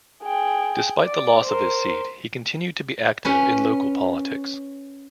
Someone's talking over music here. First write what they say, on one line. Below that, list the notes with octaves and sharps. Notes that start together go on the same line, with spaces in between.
Despite the loss of his seat, he continued to be active in local politics.
G#4 G5
D5
A#4 C5
C#4 B4